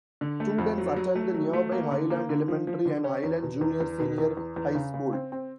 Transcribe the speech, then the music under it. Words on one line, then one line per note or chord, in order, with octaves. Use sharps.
Students attend the nearby Highland Elementary and Highland Junior-Senior High School.
D3
A3
F2
F#3
F#3
A3
F#3
A3
A#3
D3
A#3
D3
F3
F3
D3
C#4
E2
B2
E2
E2
B2
E2
E2
E2
C#3
C#3
C4
C4